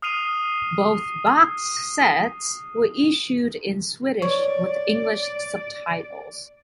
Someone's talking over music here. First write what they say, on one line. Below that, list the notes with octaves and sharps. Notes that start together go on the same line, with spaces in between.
Both box sets were issued in Swedish with English subtitles.
D#6 F6 C7 D#7 F7
C#5 D5